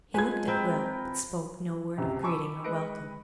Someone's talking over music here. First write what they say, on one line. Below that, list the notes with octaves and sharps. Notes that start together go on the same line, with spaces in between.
He looked at Will, but spoke no word of greeting or welcome.
F3 G#3 B4 G#5 G#6
C4 A#4 B4 G5
G5
D#1 C#2 F#2 C3 G4
G#5 A5 B5 C#6 D6 E6
G#3 B4 D#5 A#6 C#7 D7